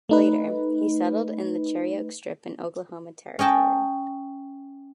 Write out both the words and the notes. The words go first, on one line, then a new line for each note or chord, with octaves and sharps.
Later, he settled in the Cherokee Strip in Oklahoma Territory.
A3 D#4 B4
C#4 D#5 G5 A5